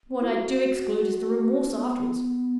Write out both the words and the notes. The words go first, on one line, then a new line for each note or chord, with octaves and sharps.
What I do exclude is the remorse afterwards.
E4
F#4
B3